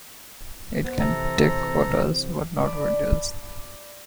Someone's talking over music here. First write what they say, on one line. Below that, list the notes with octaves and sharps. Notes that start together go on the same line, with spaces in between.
It can take photos but not videos.
B3 C5
C3 E3 A4 A#5
D5 A5 B5 D6